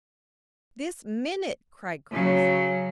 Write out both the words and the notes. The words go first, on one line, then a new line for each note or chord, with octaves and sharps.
"This minute!" cried Grace.
C#3 F#3